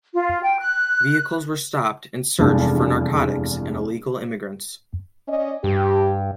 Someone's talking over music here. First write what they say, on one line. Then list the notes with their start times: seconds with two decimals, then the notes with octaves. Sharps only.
Vehicles were stopped and searched for narcotics and illegal immigrants.
0.13 F4
0.43 G5
0.59 F#6
2.39 F1 E2 G2 G#3 A5
5.28 C#4 D5 D#5
5.64 G2 G4